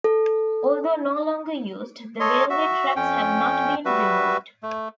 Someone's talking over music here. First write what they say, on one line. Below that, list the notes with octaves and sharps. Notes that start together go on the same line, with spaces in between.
Although no longer used, the railway tracks have not been removed.
A4
A4 C#5 D#5 C6
F#4 E5
F2 C#4 G5
G3 F#4 B4 E5
A3